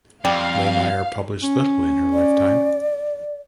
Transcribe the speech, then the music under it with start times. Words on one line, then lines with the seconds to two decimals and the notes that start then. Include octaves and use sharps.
Blamire published little in her lifetime.
0.25 F2 G3 F5 G5
1.43 C#4
2.13 D5